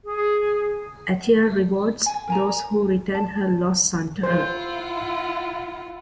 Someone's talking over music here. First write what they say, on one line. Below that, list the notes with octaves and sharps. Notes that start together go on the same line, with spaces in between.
Atia rewards those who return her lost son to her.
G#4
G#5
A#4 G#5 A#5
A5
E4 F4 C5 F#5